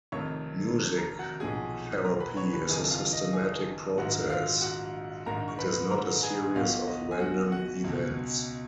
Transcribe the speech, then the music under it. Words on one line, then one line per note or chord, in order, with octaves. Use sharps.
Music therapy is a systematic process; it is not a series of random events.
F1 F2 D#3 C#5 C#6
A#4 A#5
F#4 F#5
B1 A#2 F3 G#4 G#5
A#4 A#5
B4 B5
C#5 C#6
B4 B5
F#1 F2 D#3 G#4 G#5
F4 F5
D#5
G#4 G#5
A#1 G#2 D#3 F#4 F#5
F4 F5
F#4 F#5
A#1 G#2 D#3 A#4 A#5
C#6
B4 B5
A#4 A#5
G#4 G#5
B1 B2 F4 F5
D#5
G#5
F#4 F#5
F#4 F#5
C#2 B2